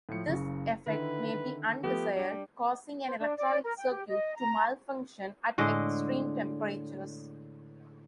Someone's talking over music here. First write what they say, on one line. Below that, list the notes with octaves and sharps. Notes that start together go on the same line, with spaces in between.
This effect may be undesired, causing an electronic circuit to malfunction at extreme temperatures.
A2 F3 C#7
F#1 C#3 C#6
D3 D#3 E4 B4
F3 A3 B3 G4
G3 D4 G4
C5
D4
D5
A#4
G5
G4
D#5
A#5
A2 D3 G#3 D#5